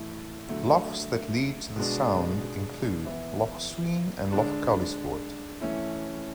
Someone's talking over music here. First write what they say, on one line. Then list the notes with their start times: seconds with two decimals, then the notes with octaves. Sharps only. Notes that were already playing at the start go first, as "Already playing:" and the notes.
Lochs that lead to the sound include Loch Sween, and Loch Caolisport.
Already playing: A2 E3 A3
0.49 D3 F#3 A3
1.76 B2 G#3 D4
3.05 E3 B3 E4
4.33 D3 G#3 D4
5.60 E3 A3 C#4 E4